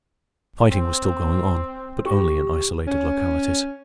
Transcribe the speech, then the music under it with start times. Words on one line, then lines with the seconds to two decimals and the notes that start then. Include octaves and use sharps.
Fighting was still going on, but only in isolated localities.
0.71 C4
2.05 G4 C#6
2.87 C#4